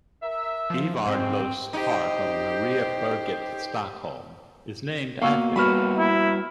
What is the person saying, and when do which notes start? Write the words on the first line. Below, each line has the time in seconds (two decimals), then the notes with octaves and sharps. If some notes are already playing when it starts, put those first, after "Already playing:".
Ivar Los park on Mariaberget, Stockholm is named after him.
0.22 A#4 E5
0.70 F3
1.06 G#2 C4
1.73 D#4 G4 C5
5.22 B2 A#3 F5 C#6 E6
5.56 G3 F#4 B4 B5 C#6 F6
5.97 E4